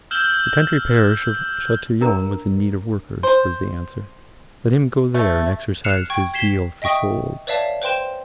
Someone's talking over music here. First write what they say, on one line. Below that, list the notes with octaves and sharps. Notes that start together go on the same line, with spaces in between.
The country parish of Chatillon was in need of workers, was the answer; let him go there and exercise his zeal for souls.
E6 F6 G6 E7 F#7 G7
D4 A#4 A#5
C5
A3
F6 F#6 C7 C#7 E7 F7
G5 C#6 G#6
G#6 B6 C7 E7 G7
D#5 E5 G5 C#6 D#6
B4 C#5 D5 E5 F5 A5
B4 C5 G5 C6 E7